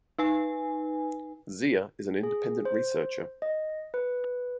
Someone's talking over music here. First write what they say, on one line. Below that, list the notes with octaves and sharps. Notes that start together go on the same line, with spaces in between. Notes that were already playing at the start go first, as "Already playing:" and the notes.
Zia is an independent researcher.
D#4 B4 G#5
G#4
C5
D#5
B4